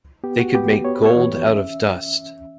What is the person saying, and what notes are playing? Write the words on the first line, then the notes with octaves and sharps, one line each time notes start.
They could make gold out of dust.
B3 G4
F#4
B3 G4
B3 C#5
B4
C#5
E3
C#4 E5